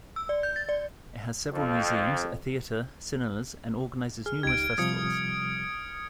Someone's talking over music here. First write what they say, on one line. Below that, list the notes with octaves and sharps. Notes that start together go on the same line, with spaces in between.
It has several museums, a theater, cinemas, and organizes numerous festivals.
E6
D5
G6
A6
D5
F2
G#4 F6
C#2 D#4 G4 G#6 D7
C3 F3 G3 D#6 G#6 C#7